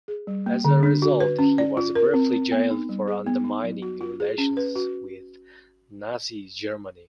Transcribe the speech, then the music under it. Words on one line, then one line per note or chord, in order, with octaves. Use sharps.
As a result, he was briefly jailed for undermining relations with Nazi Germany.
G#4
G3
A#3
D3
D4
F#4
B4
C#4
D5
F4
A#4
C4
C4
B3
D#4
G3
G#4
B3
D#4
F#3
F#4
F4
G#4
C#4
B4
F#4